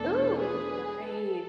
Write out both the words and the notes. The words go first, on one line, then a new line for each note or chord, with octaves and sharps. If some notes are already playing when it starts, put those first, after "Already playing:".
Ooh, nice.
Already playing: E2 B2 A3 D4 A4
G#4 B4
A4